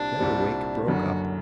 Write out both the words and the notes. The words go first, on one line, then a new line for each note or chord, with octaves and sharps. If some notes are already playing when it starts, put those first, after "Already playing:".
Then the wake broke up.
Already playing: C2 A#2 G3 C4 D4
C2 A#2 G3 C4
F#1 F#2 D3 F#4